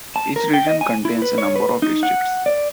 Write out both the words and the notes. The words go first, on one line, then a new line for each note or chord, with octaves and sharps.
Each region contains a number of districts.
A5
A#4
G5
D#5
G#5
E4
B4
C#5
B4
D#4
F#5
D5